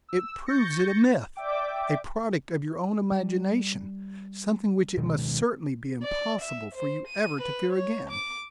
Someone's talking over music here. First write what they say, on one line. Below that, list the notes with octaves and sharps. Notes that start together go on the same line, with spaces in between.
It proves it a myth, a product of your own imagination, something which it must certainly be impossible for you ever to fear again.
E6
C#6 G6 A6 A#6 C#7
D5 E5 G5 D6
G3
B2 D#3 G#3
D5
E5
C5
D#7
B4
C#5
D6